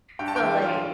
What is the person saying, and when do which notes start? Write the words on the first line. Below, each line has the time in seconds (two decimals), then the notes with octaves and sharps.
So, like
0.19 G2 G5
0.28 A5
0.36 E3 G5
0.62 F4